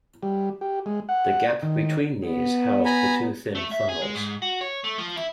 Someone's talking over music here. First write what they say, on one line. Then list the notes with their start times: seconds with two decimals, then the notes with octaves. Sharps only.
The gap between these housed the two thin funnels.
0.23 G3
0.61 G4
0.86 G#3
1.09 F#5
1.63 D#3
2.26 B3
2.85 G#5 A#5 B5
3.55 A3
3.72 E5
3.89 G#4
4.02 G#3
4.15 G#2
4.42 F#4
4.61 C#5
4.84 A3
4.98 F3
5.16 E4